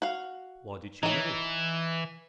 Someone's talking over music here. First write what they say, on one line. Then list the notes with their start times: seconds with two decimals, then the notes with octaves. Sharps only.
Why did she know it?
0.02 F#4 F5
1.03 E3 D#4 C#5